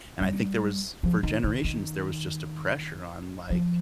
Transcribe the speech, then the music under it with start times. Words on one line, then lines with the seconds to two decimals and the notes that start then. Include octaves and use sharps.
and I think there was for generations, there was just a pressure on, like,
0.21 G3
1.03 F3
1.23 D#3
1.44 D3
1.64 D#3
3.50 F3